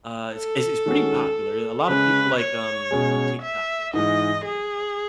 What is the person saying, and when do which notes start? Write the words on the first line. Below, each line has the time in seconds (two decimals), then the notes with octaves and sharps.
uh, it's it's it's pretty popular a lotta people, like, um, on TikTok have been making videos about this one,
0.35 A4
0.86 D#3 G#3 C#4 F#4
1.88 C#3 G#3 C#4 B4
2.40 C#5
2.91 B2 G#3 C#4 G#4
3.42 E5
3.93 G#2 E3 G#3 D#5
4.45 G#4